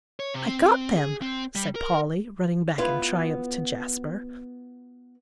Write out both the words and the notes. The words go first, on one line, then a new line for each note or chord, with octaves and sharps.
"I got them," said Polly, running back in triumph to Jasper.
C#5
C3
C4
G#4
C4
G3
A#4
B3 E4 F4